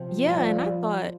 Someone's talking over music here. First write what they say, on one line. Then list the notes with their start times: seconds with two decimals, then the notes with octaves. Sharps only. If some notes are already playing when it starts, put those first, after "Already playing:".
Yeah, and I thought
Already playing: C3 F3
0.26 G3 F4 D5